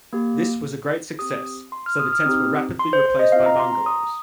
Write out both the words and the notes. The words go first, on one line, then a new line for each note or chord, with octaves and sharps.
This was a great success, so the tents were rapidly replaced by bungalows.
A#3 G4
C4 G4 D#6
C6
F6
D#6
F6
C4 D#4 G4 D#6
C6
C5
C5
D#5
C4 F4 F5
A#5
C6
A#5
D#6